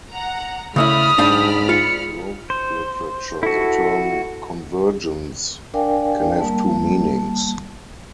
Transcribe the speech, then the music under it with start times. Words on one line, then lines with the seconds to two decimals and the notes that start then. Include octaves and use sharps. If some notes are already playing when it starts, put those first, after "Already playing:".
In economic growth literature the term "convergence" can have two meanings.
0.11 F#5 A#5
0.76 C#3 A3 E4 D5 B5 D#6 F6
1.18 G#2 D4 F5 G5
1.69 F4 C#7
2.50 C5
3.43 E4 F#4 A4
5.74 D4 A#4 D5 F5 G5 G#5
6.39 G3 A#3 A5